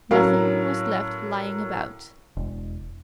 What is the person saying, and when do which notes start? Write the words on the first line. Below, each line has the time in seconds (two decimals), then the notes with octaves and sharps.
Nothing was left lying about.
0.11 A2 F#3 C#4 A#4 F5
2.37 E1